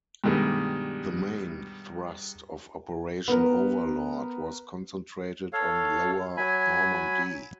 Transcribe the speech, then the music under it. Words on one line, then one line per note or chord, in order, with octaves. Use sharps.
The main thrust of Operation Overlord was concentrated on Lower Normandy.
G2 B2 D#3 G3 G#3
B3 A#4
A4 C#5 F5
F#3 G#5 B5